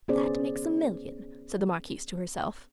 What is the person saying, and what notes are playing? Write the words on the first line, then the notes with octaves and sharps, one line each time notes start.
"That makes a million," said the marquise to herself.
B3 C#4 G#4 C5 D5